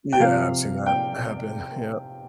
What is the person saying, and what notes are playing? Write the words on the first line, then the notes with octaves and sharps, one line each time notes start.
Yeah, I've seen that happen. Yeah.
G5
C3 F3 F5
G5